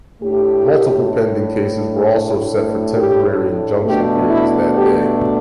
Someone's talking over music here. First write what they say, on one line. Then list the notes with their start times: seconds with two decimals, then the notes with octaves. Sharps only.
Multiple pending cases were also set for temporary injunction hearings that day.
0.22 A2 A3 D4 G4
2.95 G4
3.85 B2 A3 D4 G4
4.30 E4
4.76 G4